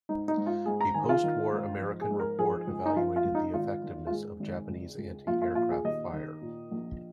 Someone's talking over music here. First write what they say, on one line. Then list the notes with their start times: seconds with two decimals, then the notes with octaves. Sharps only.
A postwar American report evaluated the effectiveness of Japanese anti-aircraft fire.
0.09 G#2 D#4
0.28 D#4
0.37 G#2
0.46 F4
0.66 G#2 G#4
0.81 A#5
0.94 D#3 G#5
1.04 G#4
1.09 F4
1.24 D#3
1.52 G#2
1.82 F3
2.01 G#4
2.10 G#2
2.20 A#4
2.38 F3 G#4
2.67 C#2
2.86 D#4
2.96 F3 F4
3.16 F4
3.25 C#2
3.35 D#4
3.53 G#1 F4
3.83 D#3
4.07 F4
4.11 G#2 G#4
4.40 G#1
4.69 C#2
4.98 C#2
5.27 A#1 F4
5.42 F4
5.55 A#2 F4
5.70 G#4
5.85 D#2 D#5
6.13 D#3
6.41 A#2
6.71 A#1